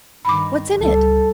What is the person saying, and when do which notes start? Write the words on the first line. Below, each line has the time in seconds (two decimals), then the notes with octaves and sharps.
"What's in it?"
0.25 G2 D#3 B5 D6
0.80 C#2 G3 A4